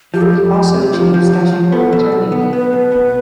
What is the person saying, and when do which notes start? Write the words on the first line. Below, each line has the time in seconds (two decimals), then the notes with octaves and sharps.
It also achieved statutory maternity leave.
0.14 F3 G4
0.21 A4
0.29 F2 G4
0.54 F2
0.74 C3
0.93 F3
1.14 F3
1.33 F3
1.53 F3
1.72 B3 A4
1.92 B2
2.12 B1
2.32 B3
2.52 B3 B4
2.73 B2
2.92 B3